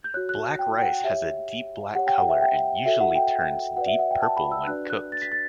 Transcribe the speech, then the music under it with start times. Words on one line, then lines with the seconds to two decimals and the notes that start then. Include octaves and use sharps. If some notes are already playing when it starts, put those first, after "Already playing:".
Black rice has a deep black color and usually turns deep purple when cooked.
0.04 G6
0.14 F#4 C#5 F#6
0.29 F#6
0.59 G5
0.78 G5
0.82 F#5
1.04 G4 C#5 E5
1.95 G4 C#5 F#5
2.07 G5
2.18 F#5
2.29 E5
2.41 G5
2.85 F#4 A4 C#5 E5
3.00 F#5
3.15 G5
3.76 F#4 B4 D5 F#5
3.87 E5
3.99 F#5
4.11 G5
4.22 A5
4.37 B5
4.52 E6
4.67 D4 F#4 B4 D5 F#6
4.90 F#6
5.12 A6
5.22 B6
5.32 A6